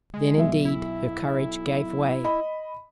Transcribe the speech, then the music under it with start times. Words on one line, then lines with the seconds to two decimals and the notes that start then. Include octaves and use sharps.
Then, indeed, her courage gave way.
0.14 G#3
0.37 B1 E5
0.65 E4
2.24 D#5 B5